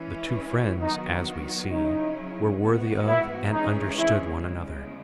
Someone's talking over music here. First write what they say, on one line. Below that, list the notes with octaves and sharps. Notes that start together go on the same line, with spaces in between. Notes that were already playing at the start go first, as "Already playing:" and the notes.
The two friends, as we see, were worthy of and understood one another.
Already playing: E3 G#3 C#4 E4
D#3 F#3 B3 D#4 F#4
C#3 F#3 C#4 D#4 E4
G#2 E3 B3 F#4
E4
C#3 E3 G#3 C#4 D#4 G#4
E4
E2 C#3 G#3